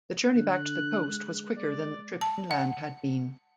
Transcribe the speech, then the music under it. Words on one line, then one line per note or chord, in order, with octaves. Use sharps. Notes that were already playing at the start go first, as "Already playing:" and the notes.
The journey back to the coast was quicker than the trip inland had been.
D3 F#6
G#3
D5
A5
F#5